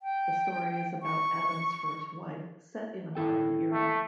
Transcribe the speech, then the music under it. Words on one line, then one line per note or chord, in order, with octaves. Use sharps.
The story is about Adam's first wife, set in a modern era.
G5
C#6
E4 A4 G5
A3